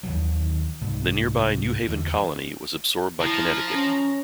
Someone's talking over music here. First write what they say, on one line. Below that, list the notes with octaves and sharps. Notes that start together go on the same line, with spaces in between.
The nearby New Haven Colony was absorbed by Connecticut.
D#2 D#3 E3 F#3
C2 G#2
E2 D3
F3 E4 A#5
C#4